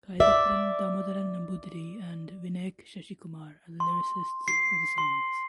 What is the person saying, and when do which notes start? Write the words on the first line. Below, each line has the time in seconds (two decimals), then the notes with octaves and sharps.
Kaithapram Damodaran Namboothiri and Vinayak Sasikumar are the lyricists for the songs.
0.20 D5 E5
3.80 C6
4.48 C7
4.98 C6